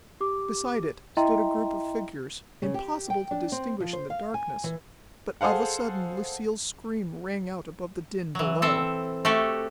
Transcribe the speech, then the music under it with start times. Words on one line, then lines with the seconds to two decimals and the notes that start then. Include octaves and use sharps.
Beside it stood a group of figures, impossible to distinguish in the darkness, but of a sudden Lucille's scream rang out above the din below.
0.21 G4 D6
1.17 E4 D#5 E5 G5 A#5 C6
2.62 C#3
2.74 G4
3.10 G5
3.31 D4
3.52 C4
3.80 F3
3.93 C5
4.10 F5
4.34 G#5
4.64 E3
5.41 G#4 A4 C5 F5 F#5
8.35 E3 F#3
8.62 C4 A4 E5
9.25 A3 F#4 G4 A4